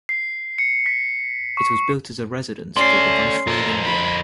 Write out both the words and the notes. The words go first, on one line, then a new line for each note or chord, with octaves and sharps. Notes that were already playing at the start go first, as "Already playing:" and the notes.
It was built as a residence for the Viceroy of India.
C7
C#7
B6
C#6
A3 C#4 D5 C6 C7
F2 A4 A#4
B5